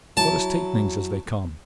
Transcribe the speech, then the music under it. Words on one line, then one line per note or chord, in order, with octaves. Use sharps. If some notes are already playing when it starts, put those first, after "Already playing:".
Let us take things as they come.
F#3 E4 A5